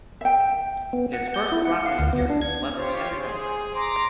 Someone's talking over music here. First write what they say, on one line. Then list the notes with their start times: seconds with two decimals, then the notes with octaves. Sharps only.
His first Broadway appearance was in "Shenandoah".
0.21 E5 G5
0.93 B3
1.13 F#5
1.34 G6
1.52 E4
1.65 F#5
1.86 F5
1.99 D2
2.13 B3
2.30 D4
2.41 G#6
2.76 F4 G4 C5 C#5
3.17 G#4
3.75 A#5 C6 D6